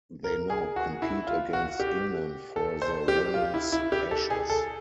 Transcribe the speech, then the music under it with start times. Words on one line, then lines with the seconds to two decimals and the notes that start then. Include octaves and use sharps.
They now compete against England for the Women's Ashes.
0.24 A#4
0.50 G#4
0.76 F#4
1.02 E4
1.27 F4
1.53 F#4
1.80 G4
2.56 A4
2.82 C5
3.08 G4
3.34 F4
3.54 E4
3.72 E4
3.92 G4
4.11 A4
4.30 G#4
4.50 A4